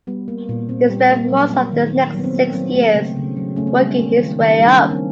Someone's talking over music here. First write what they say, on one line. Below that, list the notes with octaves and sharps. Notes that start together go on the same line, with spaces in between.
He spent most of the next six years working his way up.
G3 B3
A#3
A#2
A#2 C4
G3
A#3
F#3
A#3
D#3
D#3
F#3
B3
C4
A#3
F#3 C4
A3
C#3
C#3
F#3
A3 C#4
C4
G3 B3
A#3
D#3
D#3
G3
D4
A#3 C#4
C4